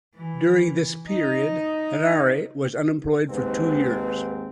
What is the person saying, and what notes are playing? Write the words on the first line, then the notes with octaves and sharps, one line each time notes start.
During this period, Henare was unemployed for two years.
E3
D#4
D#2 G#2 C4 B4